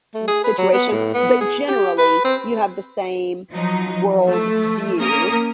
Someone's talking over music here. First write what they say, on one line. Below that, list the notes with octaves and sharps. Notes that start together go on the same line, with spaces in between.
m situation, but generally you have the same world view.
A3
G#4
B4
F#3
B3
A2
B3
G#4
G4
B4
C4
F3 F#3 D#4
F3 A3
A#3 C#4 A#4 D#6